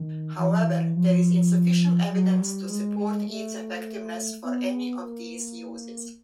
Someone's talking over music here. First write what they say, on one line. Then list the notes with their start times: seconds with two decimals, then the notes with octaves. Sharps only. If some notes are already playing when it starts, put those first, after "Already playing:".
However, there is insufficient evidence to support its effectiveness for any of these uses.
Already playing: D#3
0.38 E3
0.51 F3
0.62 E3
0.95 F3
2.11 F#3
2.41 G3
2.70 G#3
3.27 A3
4.43 B3
5.01 A#3